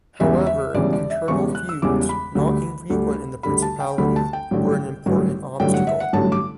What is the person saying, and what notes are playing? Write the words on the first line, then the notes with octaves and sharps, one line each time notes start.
However, internal feuds, not infrequent in the principality, were an important obstacle.
E1 E2 C#3 E3 G3 E5
E5
E1 E2 C#3 E3 G3 D5
D5
E5
E1 E2 C#3 E3 G3 C#6
F#6
E6
E1 E2 C#3 E3 G3 D6
B5
D2 D3 G3
D2 D3 G3
D2 D3 G3 B5
A5
G5
D2 D3 G3 B5
A5
G5
A1 G2 D3 F#3
A1 G2 D3 F#3
A1 G2 D3 F#3 G5
F#5
E5
F#5
A1 G2 D3 F#3 A5
D6